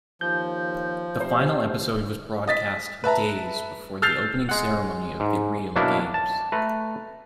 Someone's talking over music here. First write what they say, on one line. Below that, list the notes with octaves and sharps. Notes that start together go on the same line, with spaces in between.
The final episode was broadcast days before the opening ceremony of the real Games.
D#2 F3 G6
C3 C5
D#5 A6 B6
B4 E5 A5 A#5
E6 F6 G6 A6 C7 F7
G#3 F#5
G#2
B2 F#3 A#3 D4 E4
A5
A3 B4 A#5